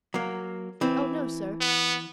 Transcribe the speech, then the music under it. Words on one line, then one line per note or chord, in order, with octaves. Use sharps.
Oh, no, sir!
F#3 A#3
E3 C4
B3